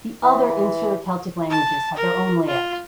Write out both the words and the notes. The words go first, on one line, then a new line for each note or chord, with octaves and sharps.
The other Insular Celtic languages have their own layout.
E3
A5
A#4
F4